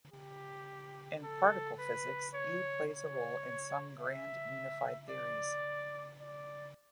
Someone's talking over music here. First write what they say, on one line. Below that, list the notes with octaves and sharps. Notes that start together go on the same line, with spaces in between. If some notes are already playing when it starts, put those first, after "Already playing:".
In particle physics, E plays a role in some grand unified theories.
G4
A4
B4
C#5
C#5
E5
D5
D5